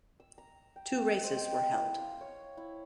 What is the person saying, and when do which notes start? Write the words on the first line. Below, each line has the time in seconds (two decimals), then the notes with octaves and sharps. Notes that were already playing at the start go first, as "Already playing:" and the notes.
Two races were held.
0.20 E6
0.38 A#5
0.76 G5
1.11 D#5
1.23 C5
1.36 G5
1.74 E4
1.99 F5
2.21 C#5
2.57 E4